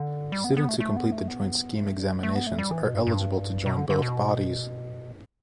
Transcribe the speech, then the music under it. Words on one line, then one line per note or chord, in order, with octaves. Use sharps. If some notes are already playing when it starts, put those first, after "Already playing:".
Students who complete the Joint Scheme examinations are eligible to join both bodies.
Already playing: D3
G3
B3
B3
A3
A3
B3
A3
B3
A3
G3
A3
B3
A3
G3
E3
B2
G2
G2
B2
D3
D3
B2